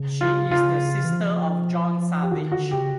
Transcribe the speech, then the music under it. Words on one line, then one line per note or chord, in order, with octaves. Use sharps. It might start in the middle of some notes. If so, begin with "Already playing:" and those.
She is the sister of John Savage.
Already playing: C#3
F4
C#3 F4
E3
F3
G4
D#3 F#4
D3 F#4
C#3 G4